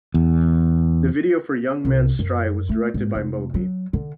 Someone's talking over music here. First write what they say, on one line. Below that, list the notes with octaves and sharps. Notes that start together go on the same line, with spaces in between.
The video for "Young Man's Stride" was directed by Moby.
E2
C2
F#2
A3
G#2
F1
F#3
D3